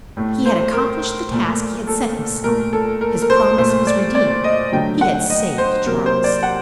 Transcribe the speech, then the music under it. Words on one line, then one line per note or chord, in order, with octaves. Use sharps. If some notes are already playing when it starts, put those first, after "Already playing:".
He had accomplished the task he had set himself, his promise was redeemed, he had saved Charles.
A2 A3
C5
A#4
A#2 A3
A4
A#2 A3 A#4
A4
A#4
A#4
C5
A#2 A3 C5
D5
D5
D#5
D3 F#3 A3 G5
F#5
D#5
C5
C3 F#3 A#3 A#4
C5
D5
F#5